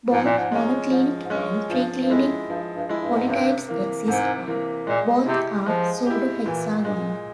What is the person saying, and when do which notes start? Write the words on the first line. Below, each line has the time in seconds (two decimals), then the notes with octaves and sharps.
Both monoclinic and triclinic polytypes exist and both are pseudohexagonal.
0.11 G#2 F3
0.25 A#2
0.38 G#2
0.52 G#3 C#4
0.91 G#2 F3
1.25 G#2
1.30 G2 G#3 C#4
1.70 G2 F3
2.01 G2
2.10 F2 G#3 E4
2.49 G2 F3
2.76 G2
2.89 G#3 E4
3.02 G2
3.15 G#2
3.29 G2 C3
3.68 E3 A#3
4.08 G#2 C3
4.47 E3 A#3
4.87 A#2 G#3
5.26 C3 E4 G4
5.66 F3 G#3
6.06 E4 G4
6.45 A#2 E3
6.85 G#3